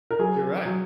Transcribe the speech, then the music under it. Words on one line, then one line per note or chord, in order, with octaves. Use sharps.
You're right.
A#4
F#3 G#4
F#3